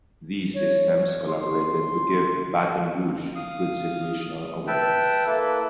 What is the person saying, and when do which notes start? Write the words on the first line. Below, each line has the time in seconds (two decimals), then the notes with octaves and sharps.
These systems collaborated to give "Baton Rouge" good situational awareness.
0.55 C#5
1.28 C6
3.36 F5 D#6
4.67 B4 E5 G5 A5
5.27 A#3 E4 A4 B4